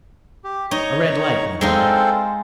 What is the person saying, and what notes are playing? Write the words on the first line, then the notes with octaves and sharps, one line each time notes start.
A red light went on.
G4
D#4 C#5 A#5 C#6
G#3 C4 D#4 F4 A4 C5